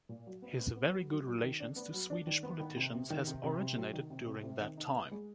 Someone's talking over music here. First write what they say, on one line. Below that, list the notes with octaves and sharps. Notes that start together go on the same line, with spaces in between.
His very good relations to Swedish politicians has originated during that time.
A#2
F#3
B3
B3
B3
F#3
F#3
F#3
D#3
D4
B3
F#3
D4
D#3
B3
D#3
C3
C3
D#3
C3
C3
C3
F#3
D#3
C3
C3
C3
D#3
D#4
B3
G#3